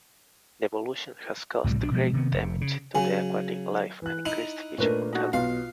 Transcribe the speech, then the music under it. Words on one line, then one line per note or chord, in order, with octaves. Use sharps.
The pollution has caused great damage to the aquatic life and increased fish mortality.
C#2 A2 C3 G3
B1 B2 D4
B2 F3 G#3
C3 D#3 B3
F1 C3
C#3
C#3 F#3 G#5
E3 F#6
D#4 E4 F7
A#2 A3 D4 A#4 B4 C#5
D#4 F#4 A4
B1 B2 F4 F5